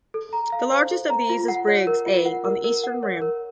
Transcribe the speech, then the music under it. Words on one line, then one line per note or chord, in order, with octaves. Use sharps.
The largest of these is Briggs A on the eastern rim.
A4
A#5
F5
C5
A4
A#5
F4
F#5
C#5
A#4
F4
F#5
A#4
A#4
F#5
C#5
A#4